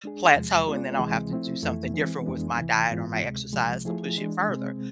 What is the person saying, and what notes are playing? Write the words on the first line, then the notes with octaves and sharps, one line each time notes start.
plateau, and then I'll have to do something different with my diet or my exercise to push it further.
G#3 D4 G#4
E2 C3 F3 G#3
G#3 B3 F4 G#4 D5
D2 C3 E3 G#3 C4
F3 A3 C4 E4
F2 E3 A3 E4
E3 G#3 C4
F2 E3 G#3 B3 D4
D2 C3 E3
G#2 E3 G#3 B3 F4
D2 C3 G#3
C2 C3 F3 G#3
F3 A3 E4 G#4
E3 G#3 D4
C3 G#3 C4